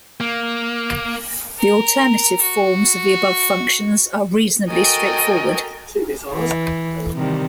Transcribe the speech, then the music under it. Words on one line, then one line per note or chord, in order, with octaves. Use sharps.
The alternative forms of the above functions are reasonably straightforward.
A#3
A#4
F#4
F#4 A4 A#4 D#5 G5 G#5
E3
C3 D#3 G3